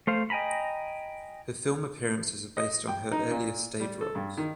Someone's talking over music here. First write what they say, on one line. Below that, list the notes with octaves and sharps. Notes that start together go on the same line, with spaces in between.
Her film appearances are based on her earlier stage roles.
A3 C5 F5
D#5 G5 G#5 A#5 B5
D#5
G5
D#4
A#2
G3
A4
G2
D#3